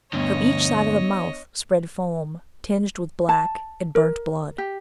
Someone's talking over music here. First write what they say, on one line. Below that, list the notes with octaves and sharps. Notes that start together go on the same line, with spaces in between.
From each side of the mouth spread foam, tinged with black and burnt blood.
D2 G2 B3 D4 C#5 D#5
A5
A#4
G4